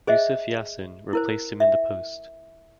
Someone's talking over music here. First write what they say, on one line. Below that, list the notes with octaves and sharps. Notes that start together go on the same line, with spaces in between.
Yusuf Yasin replaced him in the post.
G#4 C5 D#5 E5
E4 A#4 C5
E5